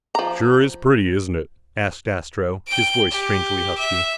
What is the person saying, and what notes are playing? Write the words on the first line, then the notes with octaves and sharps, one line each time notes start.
"Sure is pretty, isn't it?" asked Astro, his voice strangely husky.
F3 A#5
G5 D7
G4
E5